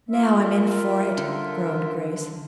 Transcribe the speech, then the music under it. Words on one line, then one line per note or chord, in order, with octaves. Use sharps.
"Now I'm in for it," groaned Grace.
F4 A#4 E5
D3